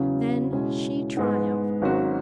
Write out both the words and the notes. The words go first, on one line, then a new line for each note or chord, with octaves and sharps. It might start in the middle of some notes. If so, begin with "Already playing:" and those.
Then she triumphed.
Already playing: E2 C#3 F#3 C#4 F#4
B2 G#3 C#4 E4
G#2 G#3 B3
G#1 G#2 F#3 C#4 F#4